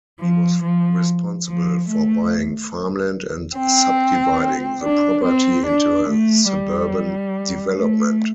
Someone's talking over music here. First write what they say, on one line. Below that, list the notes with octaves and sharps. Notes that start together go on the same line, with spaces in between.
He was responsible for buying farmland and subdividing the property into a suburban development.
F3
F3
F3
A3
C4
D4
C4
D4
A3
G3
A3